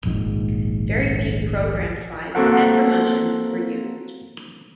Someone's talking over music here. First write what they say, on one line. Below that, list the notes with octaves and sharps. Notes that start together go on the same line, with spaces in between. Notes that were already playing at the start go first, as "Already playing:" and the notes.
Very few programme slides and promotions were used.
D#1 A#1 G#2
A#3 C4 F#4 A4 A#4 F#5